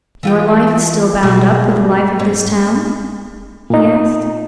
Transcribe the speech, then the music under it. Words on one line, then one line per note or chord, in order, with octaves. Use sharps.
"Your life is still bound up with the life of this town?" he asked.
E3 F4 G4
G#2 B2 G#3
G#2 C#4
A#2 D#4